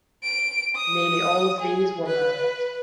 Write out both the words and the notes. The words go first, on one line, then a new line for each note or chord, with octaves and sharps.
Nearly all of these were murdered.
D7
D#6
G#4
B4